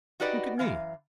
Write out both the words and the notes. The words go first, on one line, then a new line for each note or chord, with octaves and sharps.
Look at me.
D#4 F#4 G4 B4 D5 D#5
F#2 E3 F5